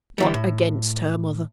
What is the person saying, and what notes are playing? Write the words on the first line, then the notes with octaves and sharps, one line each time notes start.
'Not against her, mother!
D3 E3 G3
A2